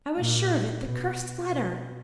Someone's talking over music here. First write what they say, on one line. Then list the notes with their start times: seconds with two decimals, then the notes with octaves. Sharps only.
"I was sure of it--the cursed letter!"
0.17 A#2
0.82 B2
1.47 B2